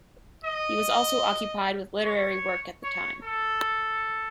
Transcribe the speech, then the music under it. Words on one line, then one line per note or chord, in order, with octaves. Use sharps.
He was also occupied with literary work at the time.
D#5
C#5
C#5
A4